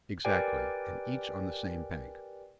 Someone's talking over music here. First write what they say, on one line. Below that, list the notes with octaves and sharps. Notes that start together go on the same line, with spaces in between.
"Exactly, and each on the same bank."
G4 A#4 B4 D5 G5 G#5